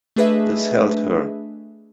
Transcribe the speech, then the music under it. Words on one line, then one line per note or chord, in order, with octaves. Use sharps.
This held her.
A3 D4 G#4 B4 D#5 E5